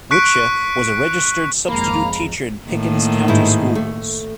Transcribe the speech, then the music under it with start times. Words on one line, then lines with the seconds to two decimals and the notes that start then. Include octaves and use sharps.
Wyche was a registered substitute teacher in Pickens County schools.
0.11 C#6 F#6 B6 C#7 D7
1.68 G#1 F2 G#3 A#3 F5 A#5 B5
2.66 A2 D#3 A#3
3.28 G#2 D#4 E4
3.75 A3